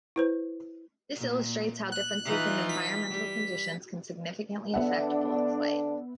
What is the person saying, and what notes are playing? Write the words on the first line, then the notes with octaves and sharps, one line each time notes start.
This illustrates how differences in environmental conditions can significantly affect bullet flight.
E4 B4 C5
A#2
F#6
E3 D#4 F4
B6
G3
D3 B3 D4 E5 F#5